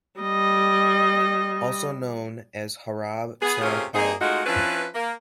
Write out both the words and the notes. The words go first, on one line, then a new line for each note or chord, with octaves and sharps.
Also known as Harab Serapel.
G3 D#5
B3 G#4
C3 A3 A#3 C#4 F4 G#4
A#3 C4 D#4 G#4
G#3 A3 D#4 F4 F#4
F3 C#4 D4 E4 B4
A#3